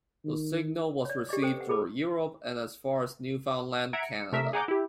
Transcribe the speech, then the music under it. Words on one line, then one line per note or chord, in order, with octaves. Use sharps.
The signal was received throughout Europe and as far as Newfoundland, Canada.
D#3
C#5 D5
G4 D5 D#5 D6
A4 C5 G5
B4 F#5
G#4 A4 B5 D6
E5 F#5 A#5 G#6 D7
C#7
C3 A3 A#4 E5 B6
G#4 F#5 G#5 A#5 D6 G6
E4 G4